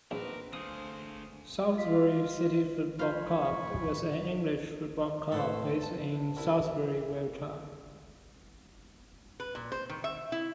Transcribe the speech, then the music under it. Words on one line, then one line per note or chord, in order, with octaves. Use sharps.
Salisbury City Football Club was an English football club based in Salisbury, Wiltshire.
A#1 C4 D4 D#4 F#4 A#4 B4
D3 A3 G#4 C5 F5 D#6
F4 D#5 B6
F3 F4 C5 G#5 B5 C#6
A2 A4 B4 C5
A5
C2 E4
B4
A#2
C5
D#3
E5
E4